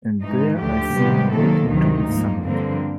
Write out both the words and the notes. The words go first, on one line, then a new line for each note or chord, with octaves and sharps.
And there I see him waiting to be summoned.
G#2 E3 G#3 D#4
D2 D3 F3 A3 G4
C3 D#3 G3 B3
C3 D#3 F#3 A#3 A4
D2 C3 D#3 F#3 D#4
G#2 F3 A#3
G2 D3 F3 A#3 C4